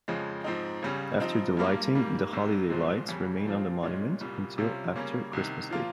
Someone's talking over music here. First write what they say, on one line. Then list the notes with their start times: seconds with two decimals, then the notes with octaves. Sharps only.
After the lighting, the holiday lights remain on the monument until after Christmas Day.
0.08 F2 C#3 F3 G#3
0.44 G#2 F3 C4 D#4
0.83 C#2 C#3 G3 C#4
1.20 G2 F3 C4 D#4
1.57 G2 G3 A#3 F4
1.95 G#2 G3 A#3
2.32 C2 C3 G3
2.70 C2 A#2 F3 G#3 C4
3.08 F2 C#3 G3
3.46 A#2 F3 C4 F4
3.83 A#2 G#3 C#4
4.21 C2 A#2 G3
4.58 C3 G3 C#4 F4
4.96 C#3 G3 A#3 C#4
5.33 C2 C3 D#3
5.70 A#2 F3 A#3 F4